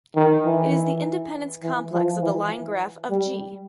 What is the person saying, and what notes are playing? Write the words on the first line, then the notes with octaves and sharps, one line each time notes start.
It is the independence complex of the line graph of "G".
D#3
E3
E3
F3
E3
G3